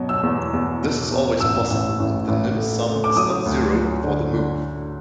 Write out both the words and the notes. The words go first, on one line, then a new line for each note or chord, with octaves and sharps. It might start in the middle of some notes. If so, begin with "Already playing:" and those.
This is always possible if the nim-sum is not zero before the move.
Already playing: B2 F#3
E6
E2
E2
B2
E2
A1 E6
A1
A1
A1
A3
A3
D6
F#3 D#6
D2
F#3
D3
D3